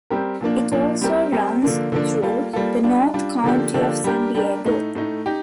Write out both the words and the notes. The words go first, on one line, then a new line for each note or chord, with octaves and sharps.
It also runs through the North County of San Diego.
G3 C4 G4 A#4
A#2 F3 A#3 D4
A#2 F3 A#3 D4
G3 C4 G4 A#4
G3 C4 G4 A#4
D3 F3 A#3 D4
D3 F3 A#3 D4
G3 A#3 F4 A4
G3 A#3 F4 A4
G3 D4 F4
G3 D4 F4
D3 F3 A#3 D4 G4
D3 F3 A#3 D4 G4
G3 D4 G4 A#4
G3 D4 G4 A#4
A2 A3 D#4
A2 A3 D#4
D#4 G4